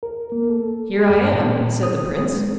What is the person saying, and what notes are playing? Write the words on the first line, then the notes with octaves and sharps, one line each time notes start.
"Here I am," said the prince.
A#4
A#3
A4
G2
A#2
D#6
G#3